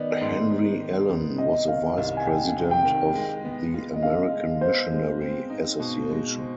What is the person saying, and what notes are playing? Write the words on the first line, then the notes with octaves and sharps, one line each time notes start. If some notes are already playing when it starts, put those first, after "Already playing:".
Henry Allon was a vice-president of the American Missionary Association.
Already playing: D#3 B3 D5 D#5
G#2
G#2
D#3
B3
C3 D#5
D#3 F5
C2 F5
G#5
C2 G5
C3
G5
D#3
G#3
B3
F4
D#5
D3 F5
G#3
B3 C5
G#3
C4
D#4
B2
G#3
C4